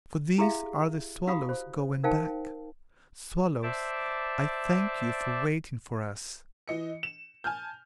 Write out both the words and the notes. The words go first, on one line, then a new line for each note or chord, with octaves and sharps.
For these are the swallows going back. Swallows, I thank you for waiting for us.
E4 G4 G#4 E5 F5
E4 F#4 G4 F5 B5 D#6
C5
D#4 A#4 C5 F5 G5 A5
C5 D5 E5 A5 D6
E3 D#5 C#7
E7
G#5 A5 F6 G6